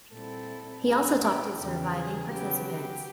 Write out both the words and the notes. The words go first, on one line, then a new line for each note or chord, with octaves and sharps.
He also talked to surviving participants.
A#2 G3 C4 E4 A4
A#2 G3 B3 G#4
G4
E2 C#3 E3 G3 G4
G#4
C#3 F#3 B3 G4
G4